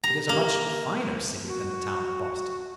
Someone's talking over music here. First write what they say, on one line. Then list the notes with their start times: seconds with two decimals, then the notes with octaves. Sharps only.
It is a much finer city than the town of Boston.
0.04 A#5
0.29 A#3
1.48 F#4